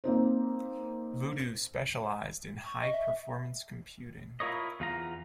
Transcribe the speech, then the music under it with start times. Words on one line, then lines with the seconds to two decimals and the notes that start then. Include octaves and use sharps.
Voodoo specialized in high performance computing.
0.04 A#3 C4 D#4 C5
2.65 C#6
2.81 D#5
2.93 E5
4.40 E4 F4 A#4 C#5 D#5
4.80 E2 F4 A#5